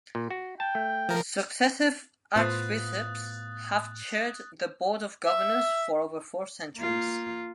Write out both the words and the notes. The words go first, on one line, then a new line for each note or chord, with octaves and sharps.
Successive Archbishops have chaired the Board of Governors for over four centuries.
A#2
F#4
G5 A5
A3
F3 A#4
A2 B3 F4 C5 D#6 F#6 A6
E5
A#3 F4